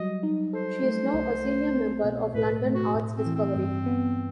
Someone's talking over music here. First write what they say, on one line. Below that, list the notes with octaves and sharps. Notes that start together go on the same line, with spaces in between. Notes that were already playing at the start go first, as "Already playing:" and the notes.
She is now a senior member of London Arts Discovery.
Already playing: F#3 G3 D#5
D#4
A4 C5
A3
C2
A3
C4
B2
A2 B4
A3
F#4
A2
C4
E3
C4
G2
B3